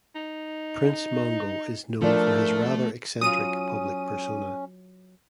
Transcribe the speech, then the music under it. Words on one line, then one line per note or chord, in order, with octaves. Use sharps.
Prince Mongo is known for his rather eccentric public persona.
D#4
F3 A3 D4 A#4
F#3 C#4 F4 D#6 D#7